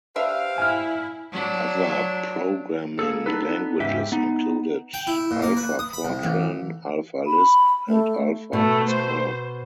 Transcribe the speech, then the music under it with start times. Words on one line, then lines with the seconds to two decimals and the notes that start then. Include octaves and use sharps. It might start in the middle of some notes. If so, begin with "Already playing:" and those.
Other programming languages included AlphaFortran, AlphaLisp and AlphaPascal.
0.16 D4 G4 B4 C5 E5 F5
0.58 E4 G#5 F6
1.32 F#3 D4
2.99 A#3 G#4 A4
3.26 B3 D4 D#4 A4 B4
3.80 E2 G#2 C#3 G4 E5
4.12 B3 D#4
4.94 G5
5.07 E4
5.31 A#2
5.42 A#3
5.57 B4
5.79 D#6
5.93 B5
6.05 C2
6.24 A1
7.27 B5
7.87 A3
8.53 B2 A3
8.89 C5